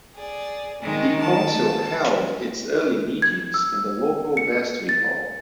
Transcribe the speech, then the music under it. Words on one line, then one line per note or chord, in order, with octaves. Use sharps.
The council held its early meetings in the local vestry hall.
G#4 D5
D#3 G#3
A5
G#6
E6
C#7
A6